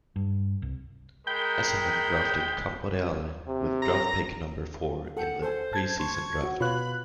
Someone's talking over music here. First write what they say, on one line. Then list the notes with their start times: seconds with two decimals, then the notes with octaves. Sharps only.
Essendon drafted Camporeale with draft pick number four in the pre-season draft.
0.16 G2
0.62 C2
1.27 G#3 A#4 G5 B5 G6
3.48 C3
3.82 A#5
5.17 A4 F#5 G5
5.42 A4 C5 G#5
5.73 A5 G#6
6.00 C6 C#6
6.43 F#4
6.61 B2 F4 B4 C#5 B5 F#6